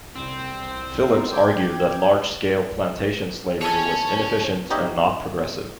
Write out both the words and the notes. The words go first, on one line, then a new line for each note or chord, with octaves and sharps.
Phillips argued that large-scale plantation slavery was inefficient and not progressive.
C2 C4
B3 D#4 A#4
G5 D6 G#6
C#5 G#5 A5
B3 D#4 G4 C#5 D#5 E5